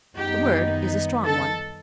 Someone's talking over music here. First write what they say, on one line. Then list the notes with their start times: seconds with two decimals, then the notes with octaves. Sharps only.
The word is a strong one.
0.16 F#2 D#3 G3 B3 D#4 G4
1.25 A4